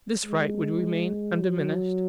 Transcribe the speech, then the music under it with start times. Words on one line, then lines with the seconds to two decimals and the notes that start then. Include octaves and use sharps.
This right would remain undiminished.
0.25 G#3
1.41 F#3